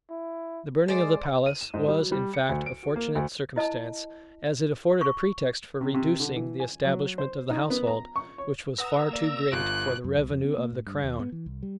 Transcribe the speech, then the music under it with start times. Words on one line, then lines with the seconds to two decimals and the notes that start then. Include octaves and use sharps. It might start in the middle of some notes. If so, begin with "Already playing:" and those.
The burning of the palace was, in fact, a fortunate circumstance, as it afforded a pretext for reducing the establishment of the household, which was far too great for the revenue of the Crown.
0.10 E4
0.88 G#3 C5 D5
1.46 D#7
1.61 E7
1.74 G#2
1.88 G3
2.00 F#3
2.12 G3
2.34 C#7
2.49 D2
2.66 D7
2.83 F#4
2.96 A#3
3.15 D2
3.56 E4 D#5 A5
5.01 C#6
5.81 C3
5.94 C3
6.20 D3
6.36 E3
6.60 G#5
6.85 F#3
7.18 C5
7.50 D#4
7.70 B3
7.87 A#5
8.16 C#6
8.38 C#5
8.78 B4 F#5 A#5 D#6 E6
9.11 A#3 D5
9.52 G1 F4 F#6 D7
10.04 F#2
10.18 C2
10.30 F2
10.45 C4
10.58 A#3
10.72 A2
10.86 G2
11.04 D#2
11.19 B3
11.32 E3
11.46 C2
11.63 G3